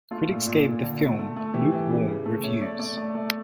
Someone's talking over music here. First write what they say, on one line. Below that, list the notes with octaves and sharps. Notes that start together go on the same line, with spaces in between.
Critics gave the film lukewarm reviews.
A3 F4
A#2
A#2
A#2
D3
A3
A3
A3
E3 G4
E3
C#3
C#3
A3
A3 C#5
A3 D5
A3 D5
A3
A3